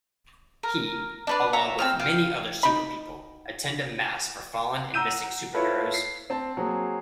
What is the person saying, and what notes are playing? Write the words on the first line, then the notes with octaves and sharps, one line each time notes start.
He, along with many other superpeople, attend a mass for fallen and missing superheroes.
A#4
D4 B4 D5
C#5 E5 A#5
C4 E6 F6
F5 G5
D#4 B5
F#5 A#5 E6 G6 D#7
E4 F4 A4 B4 C#5
C7
C4 A5
F#3 A#3 C4 G#4